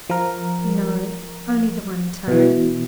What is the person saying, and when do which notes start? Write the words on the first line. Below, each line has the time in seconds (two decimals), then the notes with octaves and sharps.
"No, only the one time."
0.10 F3 A#4
2.28 B2 E3